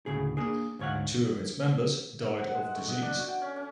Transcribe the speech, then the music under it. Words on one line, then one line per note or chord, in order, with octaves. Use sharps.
Two of its members died of disease.
D2 A2 C#3 G#4
A#3 D4 G#4
D2 G#2 C#5 F5 F#5
E5
F#5
G#3
A3
D#5
D4
F#4
G5
C#4
C#4